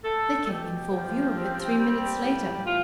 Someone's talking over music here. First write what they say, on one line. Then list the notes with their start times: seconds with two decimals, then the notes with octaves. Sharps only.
They came in full view of it three minutes later.
0.03 A3 A4
0.43 A4
0.47 B2 G4
0.91 F3
1.35 C4
1.79 G3
2.22 A2
2.66 E3 F4